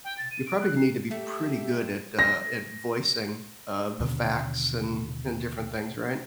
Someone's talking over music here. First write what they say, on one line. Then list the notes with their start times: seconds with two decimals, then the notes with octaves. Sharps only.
you probably need to be pretty good at, uh, at voicing, uh, the facts and and different things, right?
0.04 G5
0.17 A6
0.30 D#7
0.45 D7
0.60 F#6
0.76 C7
1.11 A3 G4 E5
2.19 A#6
4.00 D#2 B2 D3